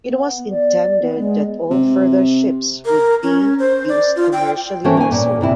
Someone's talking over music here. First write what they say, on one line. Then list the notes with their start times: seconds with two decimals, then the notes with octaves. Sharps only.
It was intended that all further ships would be used commercially or sold.
0.05 B3
0.50 D5
1.02 B3
1.19 G#3
1.71 C3
2.85 A#4
3.23 C#4
3.59 C5
3.88 D5
4.16 F4
4.33 G5
4.84 E3 A3 A#3 C#4 C5
4.97 A#3 G#5
5.12 A#2
5.41 D#2 C3 E4